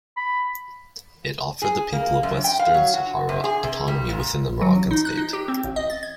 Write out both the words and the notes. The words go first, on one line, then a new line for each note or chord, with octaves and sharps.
It offered the people of Western Sahara autonomy within the Moroccan state.
B5
G#4
A#3
F#2
G5
F5
F#3
F#4
C3
G#4
C3
G3
A#2
F#3
A1
D#4
F#6
D#4
G4
C4
A1
D#5
A6
G#6